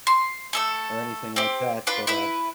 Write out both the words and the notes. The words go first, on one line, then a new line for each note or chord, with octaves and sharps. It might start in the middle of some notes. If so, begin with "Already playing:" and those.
or anything like that, but, uh
C6
A3 A4 E6
C4 G4
D4 F4 B4 B5
E4 B4 B5